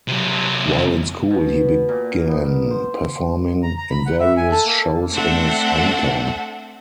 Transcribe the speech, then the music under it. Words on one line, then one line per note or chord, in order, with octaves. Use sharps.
While in school he began performing in various shows in his home town.
C3 F#3
B2
A#2
B3
C5
A#5
A#5
B5
F#5
E5
G#5
A4
A#3
A3 C4 D4 A4 E5 F#5